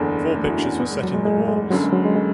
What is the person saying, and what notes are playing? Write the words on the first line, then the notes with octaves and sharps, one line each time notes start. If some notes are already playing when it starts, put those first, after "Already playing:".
Four pictures were set in the walls.
Already playing: F#1 E2 D3 B3
A3
F#4
E4
D4
C#4
B3
G#3
F#3
G#3
G#3
A3
G#3
F#1 F#2 D3 F#3 A3
G#3
F#3
G#3
G#3